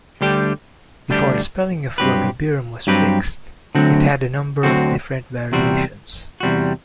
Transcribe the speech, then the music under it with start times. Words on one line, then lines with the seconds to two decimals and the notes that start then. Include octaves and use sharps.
Before the spelling of Logabirum was fixed, it had a number of different variations.
0.21 D2 D3 G3 D4 G4
1.10 D2 D3 G3 D4 G4
1.98 G2 F#3 C4 G4 B4
2.87 G2 F#3 C4 G4 B4
3.75 D2 D3 F#3 C4 F#4
4.63 D2 D3 F#3 C4 F#4
5.52 E2 C3 G3 C4 F#4
6.40 E2 C3 G3 C4 F#4